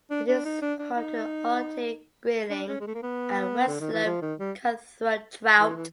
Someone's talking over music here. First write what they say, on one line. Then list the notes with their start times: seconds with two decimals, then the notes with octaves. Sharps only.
It is home to Arctic grayling and westslope cutthroat trout.
0.10 D4
0.28 D4
0.45 D#4
0.62 D4
0.79 D4
0.96 D#4
2.50 D4
2.68 C#4
2.80 G#3
2.87 A3
2.94 A#3
3.03 B3
3.68 D3
3.80 D#3
3.93 E3
4.05 F3
4.22 D#3
4.39 G3
5.59 E3
5.76 E3